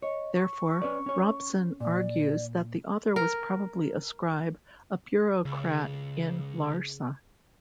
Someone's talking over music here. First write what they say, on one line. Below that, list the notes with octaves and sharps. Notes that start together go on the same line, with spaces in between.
Therefore, Robson argues that the author was probably a scribe, a bureaucrat in Larsa.
C#5 D#5
C#6
C#4 B4 D5
C#4 C#5
A#2 D5
A#4
C#2 C#3